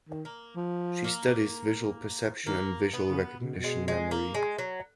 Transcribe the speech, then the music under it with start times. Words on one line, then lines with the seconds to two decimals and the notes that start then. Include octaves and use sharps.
She studies visual perception and visual recognition memory.
0.09 D#3
0.25 A#3
0.56 F3
1.04 A#3
2.46 D#3 A#3
2.93 B3
3.09 C#3
3.40 B2
3.64 G#3
3.88 G#3
4.11 A#3
4.34 G#3
4.59 F#3